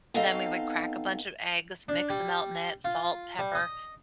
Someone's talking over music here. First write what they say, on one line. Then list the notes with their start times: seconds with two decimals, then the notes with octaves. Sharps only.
then we would crack a bunch of eggs, mix the melt in it, salt, pepper,
0.14 B3 C4 D#4 A4 D#5 F5
1.89 D4
2.10 G3
2.85 F4
3.39 G3
3.55 D#5